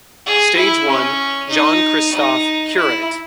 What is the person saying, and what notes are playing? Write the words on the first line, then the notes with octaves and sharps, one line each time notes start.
Stage one Jean-Christophe Currit.
G#4
E4
C#4
D#4
D#4
E4